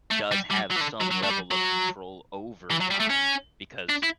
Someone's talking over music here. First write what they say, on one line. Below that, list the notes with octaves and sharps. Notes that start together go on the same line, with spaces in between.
does have some level of control over time because
A3
G3
G3
F#3
E3
D3
F#3
F#3
A3
G3
F#3
E3
F#3
G3
A3
C#4
D4
E4